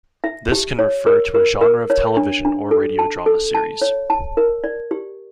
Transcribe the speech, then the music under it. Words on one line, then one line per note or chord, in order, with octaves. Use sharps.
This can refer to a genre of television or radio drama series.
E5
G4
C#5
A#4
A#4
A#4
C#5
D4
D4
A4
A5
A4
A5
C#5
A5
A#4
D5
G4